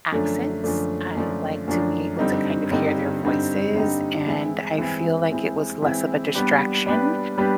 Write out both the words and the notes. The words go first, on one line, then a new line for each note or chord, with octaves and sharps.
accents, I like to be able to kind of hear their voices, and I feel like it was less of a distraction
F#2 D3 F3 A3 D4
F#2 D3 F3 A3 D4
F#2 D3 F3 A3 D4
F#2 D3 F3 A3 D4
G2 D3 G3 C4 D#4
G2 D3 G3 C4 D#4
G2 D3 G3 C4 D#4
G2 D3 G3 C4 D#4
E3 G#3 C4 E4
E3 G#3 C4 E4
E3 G#3 C4 E4
E3 G#3 C4 E4
G3 B3 D4 G4 B4
G3 B3 D4 G4 B4
G3 B3 D4 G4 B4